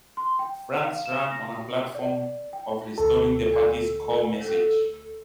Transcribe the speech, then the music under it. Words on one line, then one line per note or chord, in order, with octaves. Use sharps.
Franks ran on a platform of restoring the party's core message.
C6
G5
F5
E7
A#6
D5
G5
D2 A4